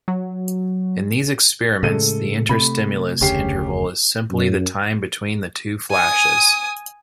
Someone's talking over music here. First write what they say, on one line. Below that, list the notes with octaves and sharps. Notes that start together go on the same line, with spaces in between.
In these experiments, the interstimulus interval is simply the time between the two flashes.
F#3
A2 C#3 G#3 A4 D#7
C3 A3 B5
F1 D2 C#3 C#4 G4 C7
F#2
G#5 D#6